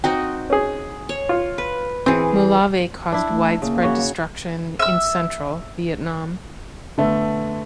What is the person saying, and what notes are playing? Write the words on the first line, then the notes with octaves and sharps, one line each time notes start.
Molave caused widespread destruction in Central Vietnam.
C4 D#4 F#4 G5
C#4 G#4
C#5
F4
B4
E3 C4 G#4
D4 E4
A3
C#3 A#3
C#3 F#4 C#5
E5 E6
D3 A3 B3